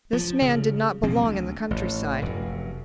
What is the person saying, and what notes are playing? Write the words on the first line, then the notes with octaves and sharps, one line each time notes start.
This man did not belong in the country-side.
F3
C#3
B1 F3 G#3 C4
D2
A1
F1 F#2